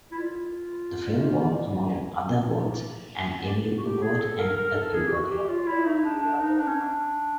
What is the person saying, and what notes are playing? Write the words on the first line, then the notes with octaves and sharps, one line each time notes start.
The film won, among other awards, an Emmy Award and a Peabody.
E4
F4
F#4
G4
G#4
A4
A#4
A#4
A4
G#4
G4
F#4
G4
F4
E4
D#4
D4
D4
D#4
D4
C#4
D4